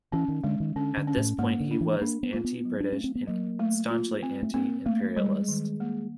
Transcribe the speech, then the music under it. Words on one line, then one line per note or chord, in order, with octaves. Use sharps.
At this point, he was anti-British and staunchly anti-imperialist.
E3 C#4
D#3
D3 G#3
D#3
D3 C#4
D3
C#4
A2
G#2 A#3
D3
D4
E3
A#3 D4
B3
A#3 F4
B3
F#3
D4
A3 C#4
C4
B3
F#3 A#3
A3
F4
C4
A3
A#3 C4
A3 A#3
G3 G#3
D#3
A#3